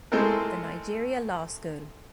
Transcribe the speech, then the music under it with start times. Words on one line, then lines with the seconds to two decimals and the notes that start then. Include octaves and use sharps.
The Nigeria Law School.
0.12 G#3 A3 C4 E4 A4 A#4